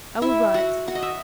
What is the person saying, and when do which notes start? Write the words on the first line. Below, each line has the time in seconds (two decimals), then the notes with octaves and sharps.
I will write.
0.22 E4 E5
0.54 F#4 F#5
0.88 F#4 F#5
0.95 D#5
1.03 E5